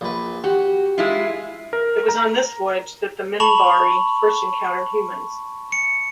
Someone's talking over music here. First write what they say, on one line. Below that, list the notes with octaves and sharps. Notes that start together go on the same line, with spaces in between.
It was on this voyage that the Minbari first encountered humans.
A#1 B4
F#4 G4
G#3 E4 F4
A#4
A#5
A5 B5 C#6 F7 F#7
C#7